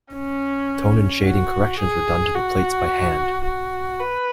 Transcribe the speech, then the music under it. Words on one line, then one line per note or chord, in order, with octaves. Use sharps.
Tone and shading corrections were done to the plates by hand.
C#4
F#4
G#4
F#4
F#4
B4